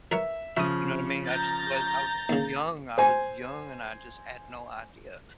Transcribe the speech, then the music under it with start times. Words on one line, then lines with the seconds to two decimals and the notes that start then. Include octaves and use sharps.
you know what I mean? I just was I was too young, I was young and I just had no idea,
0.12 A#4 B4 C#5 E5
0.57 C#3 F3 E5 D#6
1.25 A#5 G6 A6
2.29 D#2 C#3
2.98 C5 G#5